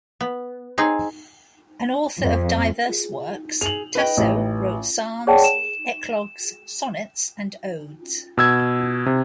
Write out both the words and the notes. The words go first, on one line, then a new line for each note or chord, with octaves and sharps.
An author of diverse works, Tasso wrote psalms, eclogues, sonnets and odes.
B3
C4 D#4 G#4
F2
G#4 F7 F#7
B4 D#5 G5
A1
G#4 C#5 D5 F#5 G5 A5
E7
B2 E6 G#6
C3